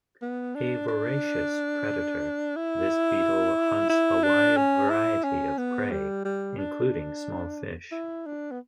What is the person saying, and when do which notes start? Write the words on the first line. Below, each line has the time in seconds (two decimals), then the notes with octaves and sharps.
A voracious predator, this beetle hunts a wide variety of prey including small fish.
0.22 B3
0.56 D4
0.88 D4
2.56 E4
3.90 E4
4.24 D4
4.57 C#4
4.90 E4
5.24 C#4
5.58 B3
5.91 G3
6.25 G3
6.58 D4
7.92 E4
8.26 D4
8.52 B3